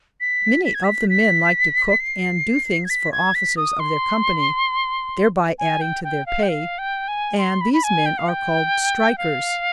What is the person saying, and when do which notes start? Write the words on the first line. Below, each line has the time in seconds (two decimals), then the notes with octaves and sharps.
Many of the men like to cook, and do things for officers of their company, thereby adding to their pay, and these men are called strikers.
0.21 B6
0.65 B6
0.74 G#6
0.84 B6
1.10 B6
2.00 C7
2.85 G#6
2.90 B6
3.12 G#6
3.35 B6
3.57 D#6
3.79 C6
5.59 G#5
5.81 G5
6.04 G5
6.26 F5
6.43 G5
6.49 F5
6.79 G5
7.08 G#5
7.38 C6
7.61 B5
7.73 B5
7.84 G#5
8.06 G5
8.18 F5
8.28 G5
9.18 F5